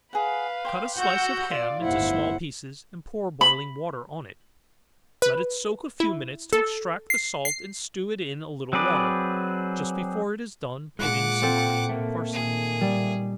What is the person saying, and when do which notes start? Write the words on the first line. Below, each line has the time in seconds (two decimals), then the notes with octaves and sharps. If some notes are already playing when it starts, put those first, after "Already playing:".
Cut a slice of ham into small pieces, and pour boiling water on it; let it soak a few minutes to extract the salt, and stew it in a little water; just before it is done, put in some cream and parsley.
0.13 G#4 B4 F5 F#5
0.65 C5 G5 D6
0.95 F#4 F#5 E6 G6
1.51 F4 D5 F5
1.81 G1 D#2 A2 E4 C5 F#5
3.41 B5
5.22 B4
6.00 E4
6.53 A4
7.10 C7
7.45 C7
8.73 F#3 C4 G#4 B4 D5
10.99 A#2 G#3 F4 G#4 F#5 D6 F#6
11.42 C4 F4 A4 G5
11.89 A3 A#3
12.33 A#2 D#3 G#4
12.81 G3